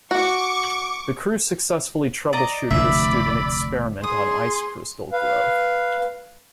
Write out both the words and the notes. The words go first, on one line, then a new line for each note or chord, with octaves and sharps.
The crew successfully troubleshooted a student experiment on ice crystal growth.
F#4 C#6 D6
D5 D#5 A#5
F1 D2 B2 D5 E5 B5
G#4 C6 D#6
B4 F5